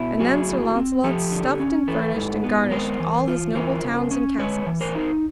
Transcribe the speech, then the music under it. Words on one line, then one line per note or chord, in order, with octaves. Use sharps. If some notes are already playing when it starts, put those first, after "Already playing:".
And then Sir Launcelot stuffed and furnished and garnished all his noble towns and castles.
Already playing: B2 E4
F#3 F#4 G#4
A2
C4
F3 G4 A4
D3
C#4
E3 A4 B4
G#2
B3
G#3 A#4 C5
E3
F4
E3 A#4 C5
C#3
C#4
G#3 B4 C#5
E3
A#4 C5
D#4